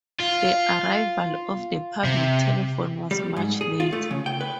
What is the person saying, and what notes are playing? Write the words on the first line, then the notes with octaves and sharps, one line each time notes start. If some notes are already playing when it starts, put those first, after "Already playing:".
The arrival of the public telephone was much later.
F4
C3
G3
G#2
G#4
F4
A3
C#3
G5
B4